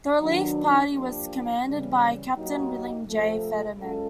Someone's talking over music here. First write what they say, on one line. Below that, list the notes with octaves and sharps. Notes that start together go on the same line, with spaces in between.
The relief party was commanded by Captain William J. Fetterman.
D#3 F#3 B3 D4
F3 A#3 D4 G4
C#3 E3 G3
F#3 A#3 D#4 G4
C3 F3 A3 C4
G#3 C#4 F4 A4